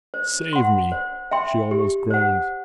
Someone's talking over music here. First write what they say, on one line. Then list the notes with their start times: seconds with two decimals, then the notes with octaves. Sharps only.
"Save me!" she almost groaned.
0.14 C5
0.53 F#5 C6
0.92 C5
1.31 E5 G5 C6
1.71 G4
2.10 C5 F#5